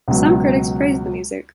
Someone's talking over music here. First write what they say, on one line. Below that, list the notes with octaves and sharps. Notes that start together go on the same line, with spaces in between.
Some critics praised the music.
C#2 B2 F#3